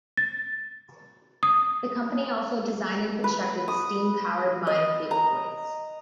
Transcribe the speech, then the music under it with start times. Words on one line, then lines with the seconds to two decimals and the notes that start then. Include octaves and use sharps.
The company also designed and constructed steam powered mine cable hoists.
0.17 A6
1.43 D#6
3.24 B4
3.68 D#6
4.67 D#5
5.11 A#5